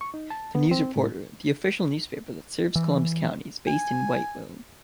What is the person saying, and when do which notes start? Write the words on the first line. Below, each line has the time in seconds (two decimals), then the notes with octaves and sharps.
"The News Reporter," the official newspaper that serves Columbus County, is based in Whiteville.
0.01 C#6
0.14 D#4
0.30 A5
0.55 B3
0.71 C4
0.96 A2
2.76 E3
3.67 G#5